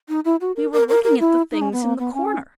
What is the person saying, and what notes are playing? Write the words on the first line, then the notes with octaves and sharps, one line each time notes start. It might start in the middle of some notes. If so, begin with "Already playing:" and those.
'We were looking at the things in the corner.'
D#4
E4
F#4
A#4
A#4
A#4
A#4
E4
D#4
C#4
B3
A#3
B3
C#4